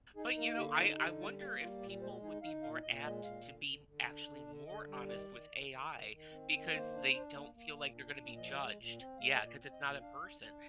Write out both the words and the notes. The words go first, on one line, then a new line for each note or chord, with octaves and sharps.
But you know, I I wonder if people would be more apt to be actually more honest with AI because they don't feel like they're gonna be judged. Yeah, 'cause it's not a person.
D#4 G#4
A#3 A#4
D3 G4
D#4 F4
D3 G4
G3 F4
A#3 G4
G3 F4
A#2 D5
G#3 C5
D#4 G#4
D#4 F5
A#2 F5
A#2 D#5
G#3 D#5
A#2 F5
D3
D3
D3
D4
D3
D3
D3 D#5
G3
D#3 D5
D#3
D#3
D#3
D#3
D#3
C4
D#3
A#3 C5
D4
D4
A#3
A#3
A#2
D4
A#2
F3 D#5
G#3
A#2
C4
G#3 F5
A#2 D#5
D5
C4
D#5
A#2
D4 F5
D4
D4